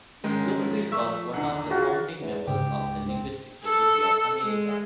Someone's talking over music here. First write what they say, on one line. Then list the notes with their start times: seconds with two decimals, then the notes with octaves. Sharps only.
Bloomfield was one of the founding members of the Linguistic Society of America.
0.24 G#2 D#3 G#3 C#4
0.59 F3 A#3
0.92 F3 A3 E5 F5 C#6 E6
1.34 B1 E2 D3 D#3 F#5
1.70 F4 F#4 G#4
2.22 E2
2.48 C#2 G#2 G4
3.08 C4
3.63 A4
4.43 G#3